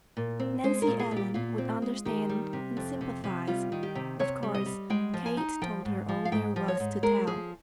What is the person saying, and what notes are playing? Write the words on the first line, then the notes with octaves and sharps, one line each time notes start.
Nancy Ellen would understand and sympathize; of course Kate told her all there was to tell.
A#2
C4
G#3 C5
A#4
A#2
G#4
A#2
G4
A#2 F4
C4
G#3
D#3 G4
G3
C3
F2
C3
C3
G3 F4
D#3
G4
C3
C3 C#5
G3
D#5
G3
G#3 G5
F3
G#5
D#4
F3 G5
G#2
F3
F5
G#2 G5
F3
C#5
G#2
G#3 A#4
F3 G#4